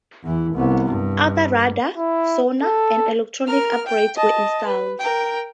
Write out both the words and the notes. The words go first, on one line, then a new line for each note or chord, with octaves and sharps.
Other radar, sonar and electronics upgrades were installed.
E2 E3
C2 B3
G2
E4
A4
A#4 F6
G5
D#5 A5
B4
A#4 G5